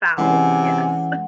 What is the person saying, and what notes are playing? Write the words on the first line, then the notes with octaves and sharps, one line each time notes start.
Foul, yes.
C3 E3 G#3 C#4 F#5 G#5